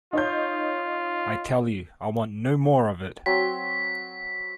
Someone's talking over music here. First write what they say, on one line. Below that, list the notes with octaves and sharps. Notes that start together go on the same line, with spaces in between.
I tell you, I want no more of it.
D#4 F4 C#5 G6
F#3 C4 B6